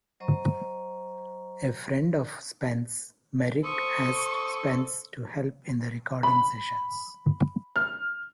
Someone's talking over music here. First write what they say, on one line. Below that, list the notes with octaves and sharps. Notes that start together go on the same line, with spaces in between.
A friend of Spence, Merrick asked Spence to help in the recording sessions.
F#3 C5 D#5 A#5 C#6
A4 C5 C#6 D#6
B5
F6